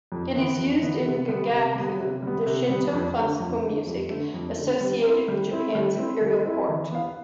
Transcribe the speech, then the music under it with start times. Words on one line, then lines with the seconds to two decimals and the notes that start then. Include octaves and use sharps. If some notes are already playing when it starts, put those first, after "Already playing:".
It is used in gagaku, the Shinto classical music associated with Japan's imperial court.
0.12 F2
0.35 E3 B3
0.58 F2
0.82 E3 B3
1.05 C3
1.29 G3 B3
1.52 C3
1.76 G3 B3
2.00 C3
2.22 G3 B3
2.46 C3
2.69 G3 B3
2.93 F2
3.17 D3 A3
3.40 F2
3.63 D3 A3
3.87 F2
4.10 D3 A3
4.34 F2
4.57 D3 A3
4.81 G3
5.04 C4 E4
5.28 G3
5.51 C4 E4
5.75 G3
5.98 C4 E4
6.21 G3
6.45 C4 E4
6.69 E3
6.92 B3 E4 B4 F5